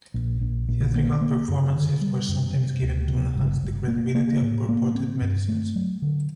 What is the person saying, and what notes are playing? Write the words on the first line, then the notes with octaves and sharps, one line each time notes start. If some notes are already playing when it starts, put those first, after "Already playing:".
Theatrical performances were sometimes given to enhance the credibility of purported medicines.
A#1
A#1
A#1
A#3
A#3
F#2
D3
G3
F#2
C3
D2
C3
G1
G1
A#3
A#3
A2
A#3
C4
G2
A3
F#3
D3